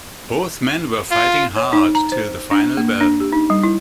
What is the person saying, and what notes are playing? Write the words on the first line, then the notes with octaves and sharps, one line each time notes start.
Both men were fighting hard til the final bell.
F4
C#5
D#4
A#5
C5
D4
A#3
D4
G4
D#4
G3
E4